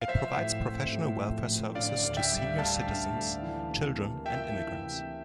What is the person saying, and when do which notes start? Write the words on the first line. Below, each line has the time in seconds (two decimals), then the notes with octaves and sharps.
It provides professional welfare services to senior citizens, children and immigrants.
0.01 F5
0.08 F3 C5 E5
0.36 A2
0.64 C4
0.92 A2
1.19 F3
1.48 A2
1.75 D3 D5 F5
2.03 D2
2.17 E5 G5
2.31 G3
2.59 D2 F5 A5
2.86 D3
3.14 D2
3.42 E3
3.70 C3
3.98 A#3
4.25 F4 E5 G5
4.53 E3
4.81 C3